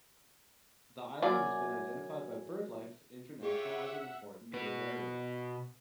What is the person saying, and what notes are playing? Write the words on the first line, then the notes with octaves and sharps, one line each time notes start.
The island has been identified by BirdLife International as an Important Bird Area.
F#2 F#3 A#3 F4 D5 G#5
F4 G4 G#4 C#5 E5 F#5
B2 F#4 B4